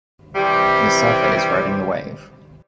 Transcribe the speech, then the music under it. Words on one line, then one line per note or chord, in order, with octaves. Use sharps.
The surfer is riding the wave.
C3 E3 G3